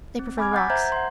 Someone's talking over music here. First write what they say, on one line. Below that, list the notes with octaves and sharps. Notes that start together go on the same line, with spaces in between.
They prefer the rocks.
C4
G#5 B5 D6 F6 G#6
F#5 G6 A6 B6
C5 E5 A#5 G6 G#6
F#5 C6